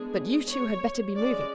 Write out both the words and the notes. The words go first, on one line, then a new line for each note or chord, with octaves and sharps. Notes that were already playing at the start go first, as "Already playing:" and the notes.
But you two had better be moving.
Already playing: G#3 B3 D4 G#4
C#5
G#3 C#4 D5